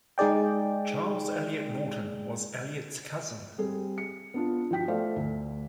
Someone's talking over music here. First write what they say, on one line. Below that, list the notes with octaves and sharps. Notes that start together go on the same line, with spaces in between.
Charles Eliot Norton was Eliot's cousin.
G#3 D#4 G#4 D5 G5
G3 C4 G#4
C#7
B3 D4 F4
F3 F#4 G5 B6
A3 C5 D5 F5
D2